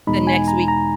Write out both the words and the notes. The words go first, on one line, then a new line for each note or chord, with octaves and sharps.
The next week
E2 B2 G#3 D#4 B5
G#5
A#5
A#5